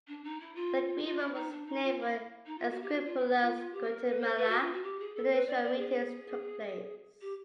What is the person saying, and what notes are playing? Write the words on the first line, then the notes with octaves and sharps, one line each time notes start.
The agreement was named for Esquipulas, Guatemala, where the initial meetings took place.
D4
D#4
E4
F4
F4
E4
D#4
D4
D#4
F4
E4
D#4
F4
F#4
G4
F#4
F4
E4
F4
F4
G4
A#4
B4
C5
B4
F#4
F4
F#4
G4
G#4
A4
B4
D5
D5
G#4
G4